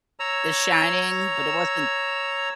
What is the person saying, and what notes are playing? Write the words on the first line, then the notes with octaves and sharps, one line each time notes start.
The Shining, but it wasn't
C#5 A#5 E6